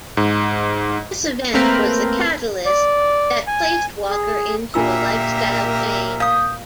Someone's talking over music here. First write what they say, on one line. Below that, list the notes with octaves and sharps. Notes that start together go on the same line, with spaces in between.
This event was the catalyst that placed Walker into a lifestyle change.
G#2
A3 A#3 C4 A#4 B4
D5
G#5
G#4
A#2 D4 F4 G4 A#4 E5 E6
F5 D#6 G6